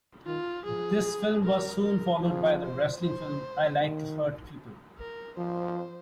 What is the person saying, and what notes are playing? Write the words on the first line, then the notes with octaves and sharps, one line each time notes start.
This film was soon followed by the wrestling film, "I Like to Hurt People".
D#3 F4
F3 G#4
A#4
A#4
F3 G#4
C5
C5
D#3
A#4
F3 C5